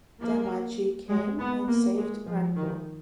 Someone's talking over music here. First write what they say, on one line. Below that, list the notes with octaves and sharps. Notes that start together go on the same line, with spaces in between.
Damaji came and saved Ranpur.
A#3
G#3
B3
A#3
G#3
F3
D#3